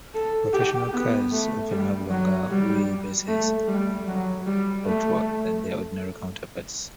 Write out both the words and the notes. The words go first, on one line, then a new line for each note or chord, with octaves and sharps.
Professional cars often have longer wheelbases, and longer coachwork than their ordinary counterparts.
A4
G4
B3
A3
G3
F#3
G3
A3
G3
F#3
G3
A3